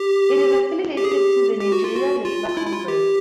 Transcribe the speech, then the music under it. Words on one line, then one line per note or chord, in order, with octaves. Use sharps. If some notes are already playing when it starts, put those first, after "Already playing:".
It is affiliated to the Nigeria Labour Congress.
Already playing: G4
G4
G#4
G4
G4
F#4
F4
F#4
F4
F4
E4
E4
F4
G4